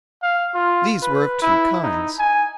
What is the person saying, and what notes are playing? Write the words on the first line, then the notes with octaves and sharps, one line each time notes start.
These were of two kinds.
F5
F4
B4
E4
D#4
G#5